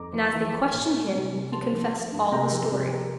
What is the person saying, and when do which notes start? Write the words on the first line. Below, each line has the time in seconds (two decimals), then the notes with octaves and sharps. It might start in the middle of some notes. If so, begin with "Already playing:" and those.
And as they questioned him, he confessed all his story.
Already playing: F2 A#5 D6
0.13 F3
0.33 E3
0.52 A#3
0.73 A#2
0.93 A3
1.13 C3
1.33 C3
1.52 F3 A5 C6
1.73 F3
1.92 A3
2.12 G2
2.32 C3 G5 A#5
2.52 F3
2.71 C3
2.92 A#3